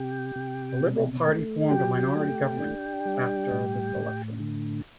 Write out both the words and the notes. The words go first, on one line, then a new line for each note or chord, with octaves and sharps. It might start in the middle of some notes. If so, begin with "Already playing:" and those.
The Liberal Party formed a minority government after this election.
Already playing: C3 G4 G5
C3
B2
A3
F#3 G4 G5
A3
D4
G3
A2
A2
D3